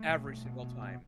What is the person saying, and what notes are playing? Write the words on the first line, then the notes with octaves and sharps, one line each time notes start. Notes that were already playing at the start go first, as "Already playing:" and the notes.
every single time.
Already playing: G3 A3
B2
B2
B2
B2
B2